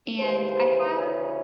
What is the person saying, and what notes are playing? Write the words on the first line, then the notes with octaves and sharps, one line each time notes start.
and I have
D#2 C#3 E3 C5
D2 C#3 E3 B4